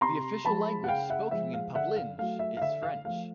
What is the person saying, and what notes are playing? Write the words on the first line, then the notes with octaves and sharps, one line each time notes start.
The official language spoken in Puplinge is French.
C3 A#5 C6
F3 G#3 A5 B5
F#5
C#3 F5 G5
E5 F#5
F3 G#3 E5
F5
D3 E5 F#5
F5
F#3 A3 F5
E5
F5
D3 E5
F5
F3 A3 F5